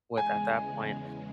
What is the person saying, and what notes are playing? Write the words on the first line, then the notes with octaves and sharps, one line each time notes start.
with, at that point,
E2 C#3 G#3 G#5